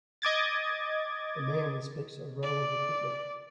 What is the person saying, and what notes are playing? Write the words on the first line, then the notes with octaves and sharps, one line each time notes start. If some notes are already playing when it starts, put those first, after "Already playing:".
A man inspects a row of equipment.
D#5 D6 G#6 A6
D5